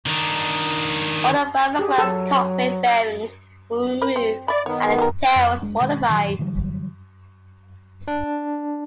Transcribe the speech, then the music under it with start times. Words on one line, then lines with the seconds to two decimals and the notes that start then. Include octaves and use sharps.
All the fibreglass cockpit fairings were removed and the tail was modified.
0.06 D#3 D4
1.79 G4 G#4
1.98 F#3 A4
4.02 A#4 C5 B5
4.16 C4
4.48 D5 E5 B5
4.66 D#3 B3 C#5
4.98 F#3 G#3 A#4
5.36 F2
5.62 F#1 G#3 D4
5.80 B2 D#3 G#3
6.09 A#2 D#3 E3 F#3
6.39 D3 E3 F#3 G3
8.08 D4